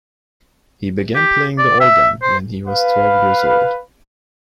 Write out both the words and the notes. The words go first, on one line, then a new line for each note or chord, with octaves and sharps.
He began playing the organ when he was twelve years old.
G4
D5
E5
C5
B4 F5